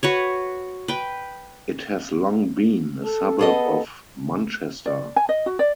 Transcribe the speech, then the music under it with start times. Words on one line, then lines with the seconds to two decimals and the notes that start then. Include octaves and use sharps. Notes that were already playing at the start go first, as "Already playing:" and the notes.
It has long been a suburb of Manchester.
0.03 F#4 B4 C#5
0.88 B4 G5
3.05 A4
3.39 B3 G#4 A4 D#5
4.86 D5
5.16 G#5
5.29 D#5
5.46 F#4
5.59 D5